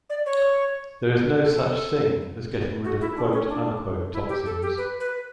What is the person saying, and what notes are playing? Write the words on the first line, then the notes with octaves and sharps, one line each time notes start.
There is no such thing as getting rid of quote-unquote 'toxins.
D5
C#5
A4
F#4
E4
D4
C#4
D4
E4
G4
A4
G4
B4
B4